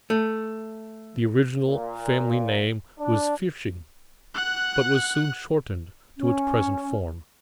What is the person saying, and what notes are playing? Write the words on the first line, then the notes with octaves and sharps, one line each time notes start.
The original family name was Pfirsching, but was soon shortened to its present form.
A3
A#2
D4
F#5 F#6
C#4